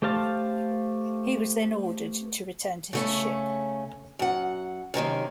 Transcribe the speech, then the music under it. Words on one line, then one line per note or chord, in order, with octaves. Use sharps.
He was then ordered to return to his ship.
A3 G4 C5 F5 A5
C#3 A3 C#4
F#2 F#5
F#2 C3 D#3 A#3